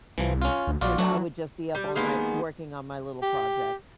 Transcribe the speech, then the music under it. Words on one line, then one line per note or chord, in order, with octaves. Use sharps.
And I would just be up all night working on my little projects.
C2 E3 F3
C#4 F4
D2
A#1 F4 F#4 D5
F#3 A3 D4 F#4
G3
D#3 G#3 A#3 B3
G4